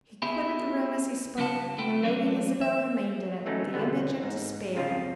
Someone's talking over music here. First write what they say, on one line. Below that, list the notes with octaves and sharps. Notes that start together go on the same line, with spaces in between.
He quitted the room as he spoke, and Lady Isabel remained in it, the image of despair.
B3 E4 G4 G#4
G2 C#3 G3 F4 F#5 A5
A3 C4 A4 B4 G5
E3 F#3 A3 A#3 C#4 D4
E5
E3 F#3 A3 C4 C#4 D#4
E2 B2 D3 B3 C4
G#2 D#4
F2 C#3 C4 F4